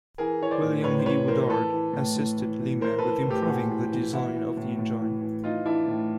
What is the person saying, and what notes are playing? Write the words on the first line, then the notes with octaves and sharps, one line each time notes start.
William E. Woodard assisted Lima with improving the design of the engine.
E3 G#4 A#4
E3 C#5
C5 D5
A2
A2 B4 C#5
C5
E3 B4 C#5
E3 A#4 C5
E3 A4 B4
E3
A2
A2
E3
E3
E3 A#4 C5
A4 B4
E3
A2 G4 A4
A2 F#4 G#4
E3
E3
E3 E4 F#4
E3
A2
A2
E3
E3
E3 D#4 F4
E3 D4 E4
A2